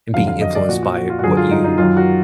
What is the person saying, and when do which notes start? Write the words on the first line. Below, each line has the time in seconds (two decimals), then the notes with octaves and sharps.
and being influenced by what you
0.14 F2 D3 F#3 F5
0.28 F5
0.41 D#5
0.55 D5
0.69 A#2 F3 F#4
0.83 F#4
0.96 F#4
1.10 F4
1.19 F#4
1.24 F#2 D3 F#3 G#4
1.37 F4
1.51 D#4
1.64 D#4
1.78 F#2 D#3 F#3 F4
1.97 F#4